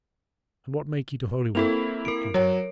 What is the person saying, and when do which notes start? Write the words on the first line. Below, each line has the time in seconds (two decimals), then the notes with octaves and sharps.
"And what make ye to Holywood?" Dick continued.
1.55 A#3 C4 E4 A4 F7
2.05 A#4 D7
2.34 F#3 C#5